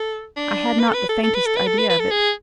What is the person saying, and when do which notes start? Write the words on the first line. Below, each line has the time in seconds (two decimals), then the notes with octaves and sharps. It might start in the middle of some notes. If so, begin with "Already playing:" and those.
"I had not the faintest idea of it."
Already playing: A4
0.37 D4
0.79 B4
0.89 A4
0.94 B4
1.09 A4
1.23 A4
1.35 B4
1.46 A4
1.57 B4
1.67 A4
1.78 B4
1.90 B4
2.00 A4
2.11 G#4